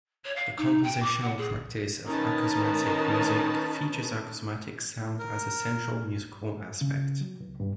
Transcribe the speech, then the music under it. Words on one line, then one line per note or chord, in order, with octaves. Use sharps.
The compositional practice of acousmatic music features acousmatic sound as a central musical aspect.
C#5
F5
D#4
G5
D6
F#5
G#4
D#3 C#4 D#4 A#4 B4 A5
A#4
C#3
F#3
C2
G2